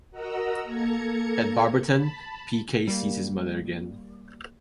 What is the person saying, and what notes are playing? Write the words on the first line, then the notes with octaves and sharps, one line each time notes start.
At Barberton, Peekay sees his mother again.
F#4 A#4 D#5 F#5 A#5 E6
A#3 A4 A#5 G#6 C#7
A5 B5
G3 A#3